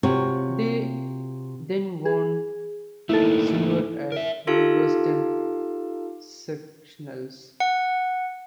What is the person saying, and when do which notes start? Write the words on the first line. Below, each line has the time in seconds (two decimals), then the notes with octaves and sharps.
They then won silver at Midwestern Sectionals.
0.03 C3 F4 F#4 C#5
2.05 G#4
3.09 A3 A#3 D#4 E4 A4
4.12 A#4 E5
4.47 D#4 F4 G4 A4 F5 A5
7.60 F#5